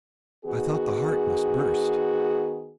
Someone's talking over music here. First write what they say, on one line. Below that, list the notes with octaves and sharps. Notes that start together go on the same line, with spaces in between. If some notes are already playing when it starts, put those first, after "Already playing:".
I thought the heart must burst.
D#3 B3 F#4 G#4